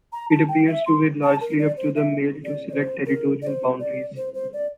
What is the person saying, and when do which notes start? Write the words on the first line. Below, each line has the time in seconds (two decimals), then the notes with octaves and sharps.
It appears to be largely up to the male to select territorial boundaries.
0.13 A#5
0.31 A5
0.48 G5
0.68 E5
0.86 C6
1.23 A5
1.41 A#4
1.59 D5
1.77 C5
1.96 E5
2.45 D5
2.69 D5
2.73 C5
3.06 A#4
3.42 D5
3.47 C5
3.80 D5
4.17 C5
4.34 C5
4.53 D5